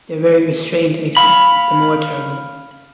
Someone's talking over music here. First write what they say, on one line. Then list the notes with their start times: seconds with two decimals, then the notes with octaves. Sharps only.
Their very restraint makes it the more terrible.
1.17 F5 B5